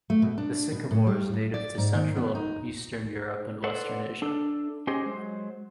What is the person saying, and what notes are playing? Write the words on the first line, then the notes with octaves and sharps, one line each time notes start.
The sycamore is native to central and eastern Europe and western Asia.
A3
B2
D4
B2
A2
G3
A2
D5
G#2
D#3
B3
D#4
A4 B4 C5 D5 F#5
D4 A4
C#4 G4 G#4 C5 D#5
F#3 G#3 C5